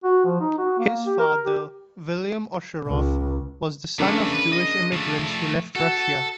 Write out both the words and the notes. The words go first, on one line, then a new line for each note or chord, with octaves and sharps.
His father, William Osheroff, was the son of Jewish immigrants who left Russia.
F#4
F3
D#4
F#4
A#3
G4
A#4
G4
C#2
F2 C#3 A3 A#3 D4
B4
D#5
F3 A3
F#4 A4
F#4